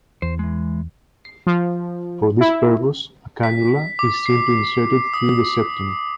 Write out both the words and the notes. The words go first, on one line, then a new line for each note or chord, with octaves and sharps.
For this purpose, a canula is simply inserted through the septum.
E2 C5
E3 G#3
F3
E4
B6
D6
C7
D#6